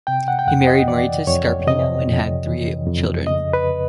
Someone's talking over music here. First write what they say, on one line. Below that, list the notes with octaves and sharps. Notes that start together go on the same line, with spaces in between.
He married Marita Scarpino and had three children.
C3 G5
F#5
G5
F2 F#5
D#5
E3 D5
F2 C#5
C3 D#5
F2
E3
F2
C#3 D#5
B4